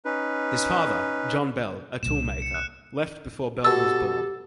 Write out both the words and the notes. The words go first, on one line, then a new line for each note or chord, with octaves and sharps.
His father, John Bell, a toolmaker, left before Bell was born.
C#4 D#4 B4
C2 A#2 E7
C#7
F#6
B2 G4 A4 A5 E6